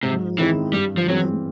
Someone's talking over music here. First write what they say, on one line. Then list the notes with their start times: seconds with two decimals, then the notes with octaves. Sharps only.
Mm, mhm.
0.03 G#2 C3
0.38 D#3 E3 G#3 C4 E4
0.73 G2 G3
0.97 F3
1.08 E3 F#3 G#3 C4